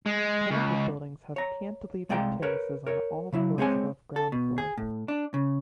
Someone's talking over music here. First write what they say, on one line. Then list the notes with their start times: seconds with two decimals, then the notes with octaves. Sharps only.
Rounded buildings have Cantilevered terraces on all floors above ground floor.
0.06 G#3
0.50 C#2
1.36 C#5 A#5
2.09 C2 G#3 D5 F5 G5 A#5
2.42 A#4 B4 C#5
2.87 A#4 C#5
3.32 C#3 F#3 E4
3.58 G#3 C4 G#4 C#5 D#5 G#5
4.16 A4
4.32 B2
4.58 G#4
4.78 A2
5.08 D4
5.34 C#3